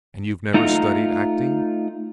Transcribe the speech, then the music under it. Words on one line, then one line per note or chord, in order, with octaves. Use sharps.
"And you never studied acting?"
A3 D#4 F4 F#5 A#5